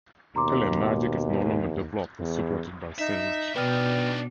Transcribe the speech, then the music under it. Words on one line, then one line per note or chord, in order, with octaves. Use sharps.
TeleMagic is no longer developed or supported by Sage.
D#2 B2 A#5 C6 D6
E2
D#4 E5
B2 D4 D#4 B4 D5 G5 F6